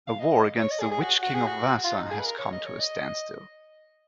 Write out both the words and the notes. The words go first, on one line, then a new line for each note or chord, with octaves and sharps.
A war against the Witch-King of Vaasa has come to a standstill.
F5
D#5
C#5
D#5
G#4
G#4
F#4
F#4
G#4
F#4
F4
D#4
G#4
B4
A#4
C#5
D#5
C#5
D#5